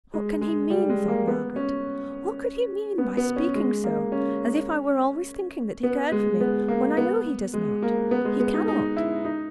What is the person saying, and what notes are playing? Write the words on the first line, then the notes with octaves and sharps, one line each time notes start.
'What can he mean?' thought Margaret,--'what could he mean by speaking so, as if I were always thinking that he cared for me, when I know he does not; he cannot.
G#3
G#3
G3
G#3
A#3
B3
C#4
B3
B3
C#4
G#3
A#3
C#4
B3
G#3
B3
A#3
B3
G#3
A#3
B3
G#3
B3
D#4
D#4
E4
D#4